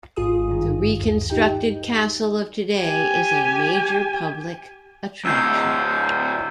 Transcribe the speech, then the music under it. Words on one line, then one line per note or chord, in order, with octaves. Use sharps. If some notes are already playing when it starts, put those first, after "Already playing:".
The reconstructed castle of today is a major public attraction.
G#1 G#2 F4 G#4 D#6
G2 D#3
D#2
D#4 G4 G5
G4 G#5
D2 A2 E6 G6 C7